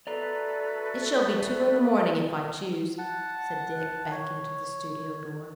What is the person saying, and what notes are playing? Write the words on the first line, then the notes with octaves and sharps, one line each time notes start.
'It shall be two in the morning, if I choose,' said Dick, backing to the studio door.
A3 F#4 A4 B4 D5 A#5
F#5 A5
C#5